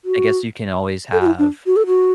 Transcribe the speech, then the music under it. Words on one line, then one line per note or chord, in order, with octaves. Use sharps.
I guess you can always have,
F#4
A4
F#4
E4
D4
F#4
A4
F#4